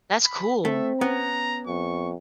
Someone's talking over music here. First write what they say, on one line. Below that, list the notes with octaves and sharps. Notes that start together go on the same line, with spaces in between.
That's cool.
B5
A3 C4 E5
B3 C#4 A#5
F2 C#6